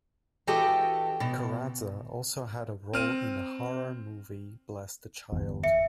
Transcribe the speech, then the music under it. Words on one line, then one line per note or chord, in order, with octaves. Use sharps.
Corazza also had a role in the horror movie "Bless the Child".
E3 F#4 G4 A4 D#5 G5
B2
C4 F6 D#7
G1 E2
E5 C#7